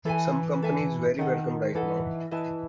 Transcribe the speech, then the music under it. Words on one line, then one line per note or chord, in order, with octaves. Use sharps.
Some company is very welcome right now.
E3 A4 E5 G#5
A4 E5 G#5
D#3 D#4 A4 D#5 F#5
E3 D#4 A4 D#5 F#5
E3 E4 B4 D#5 A5